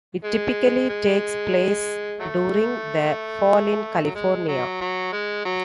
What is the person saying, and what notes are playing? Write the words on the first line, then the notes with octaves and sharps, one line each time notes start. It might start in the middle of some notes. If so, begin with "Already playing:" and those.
It typically takes place during the Fall in California.
G#3
G#3
F#3 A3
F#3
G#3
F#3
F#3
G#3
F#3